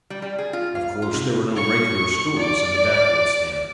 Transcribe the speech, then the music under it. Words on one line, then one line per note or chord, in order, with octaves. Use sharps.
Of course, there were no regular schools in the backwoods then.
G3
G3
G#4
F4
F5
F4
C3
C#6
D5